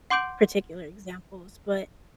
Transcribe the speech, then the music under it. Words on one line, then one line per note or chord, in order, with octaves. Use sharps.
particular examples- but
F#5 C6 D6 G6 D7 F#7